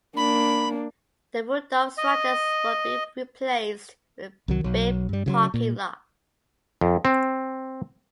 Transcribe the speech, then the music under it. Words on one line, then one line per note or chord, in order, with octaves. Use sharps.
The Rudolph structures would be replaced with a big parking lot.
A#3 D4 B5
D#5
C2 D#3 F#3
B1 F#3
G2 G3
C#3 F3 F#3
A#2
F2
C4